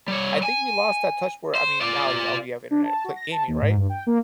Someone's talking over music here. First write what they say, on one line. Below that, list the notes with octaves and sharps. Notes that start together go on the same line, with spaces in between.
I think we lost that touch where I mean, now it's all we have Internet to play gaming, right?
G3 C#5
G#5
C5
F4 D5
D4
A5
F#4
A#6
A5
D#2
G#2
G2
G5
A#3